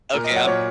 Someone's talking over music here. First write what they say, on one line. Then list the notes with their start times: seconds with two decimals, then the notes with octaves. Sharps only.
Okay. I'm I
0.14 A#2 A#4
0.24 D#5
0.31 F#3
0.36 F#5
0.46 A#2 C#5